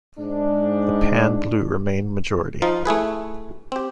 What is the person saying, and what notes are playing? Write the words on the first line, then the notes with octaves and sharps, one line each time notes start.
The pan-blue remained majority.
G#2 D4
F3 D#4 F4
A3 E4 G#4 B4
C4 G4